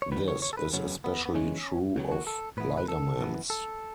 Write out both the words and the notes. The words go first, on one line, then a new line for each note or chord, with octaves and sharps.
This is especially true of ligaments.
C#5
F#2 D#3 F#3 B4
C#5
C#5
A4
B4
F#2 C#3 F#3 B3 C#4
B3
B3
F#2 C#3 E3 G#3 C#4
C#2 C#3 F#3 B3
F#4
A4
A2 E3 B3 B4
B4
A4
F#2 E3 B3
A4